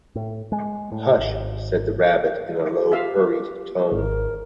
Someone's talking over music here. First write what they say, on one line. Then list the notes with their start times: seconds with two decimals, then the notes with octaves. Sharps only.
Hush!’ said the Rabbit in a low, hurried tone.
0.15 A2
0.52 G#3
0.92 A2
1.18 G#1
2.61 G4
2.92 F4 E5 F5
3.92 G#1 A#4